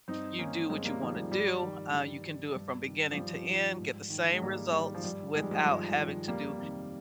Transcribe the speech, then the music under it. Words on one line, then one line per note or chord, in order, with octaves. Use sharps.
you do what you wanna do. Uh, you can do it from beginning to end, get the same results without having to do
G2 C4 D#4
D#3 A#3 C#4
G2 G#3 C4
G3 A#3
D#3 F3 G#3
G3 A#3
G2 G3
D#3
G2
D#3
G2
D#3
F3
G2 G3
D#3
G#2
D#3
G#3
G#2 G3 A#3
D#3 G3
F3
G2 G3
D#3 G#3
G3
F3 G#3
G2
D#3
F2 G3 A#3
C3 D#3